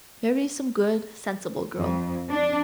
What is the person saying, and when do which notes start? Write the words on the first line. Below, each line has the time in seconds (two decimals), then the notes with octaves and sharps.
Marry some good, sensible girl.
1.77 F2
2.30 D4